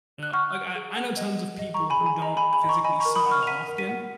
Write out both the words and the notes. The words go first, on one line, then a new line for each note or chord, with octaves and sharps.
You know? Like, I I know tons of people who don't physically smile often,
F#6
F#5 C#6 F6
F#5
G#4
F#5
D#5
G#4
D#5
A#5 C#6
G#4
G#5 B5
G#4
G#5
D#5 A#5
G#5 B5
G#4
G#5 B5
D#5
A#5 C#6
D#5 G#5 B5
A#5 C#6
A#4
B5 D#6
F#5
C#6 F6
F7
F#5 B6 D#7
A#4
B6 D#7
F#5